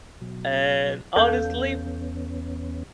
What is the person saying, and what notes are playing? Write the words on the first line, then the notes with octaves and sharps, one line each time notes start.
And honestly,
B2 F#3
E2 B3 C#4 A4 F5 G6